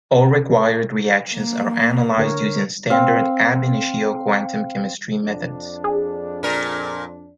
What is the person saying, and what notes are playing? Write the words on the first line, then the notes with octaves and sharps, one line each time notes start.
All required reactions are analyzed using standard ab initio quantum chemistry methods.
A#3
D3 A#4 C#5
C4 F5
F2 D4
G#4
A#2 A#4